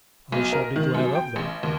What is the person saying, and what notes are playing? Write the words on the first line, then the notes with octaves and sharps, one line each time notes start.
I shall be glad of them.
B1
A#4
D#3
F#2
G5
A1
D#2